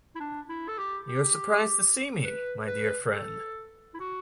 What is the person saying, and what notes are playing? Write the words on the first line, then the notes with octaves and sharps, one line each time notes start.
You're surprised to see me, my dear friend.
E4
D4
E4
A4
G4
G4
B4
B4
A4
E4
F#4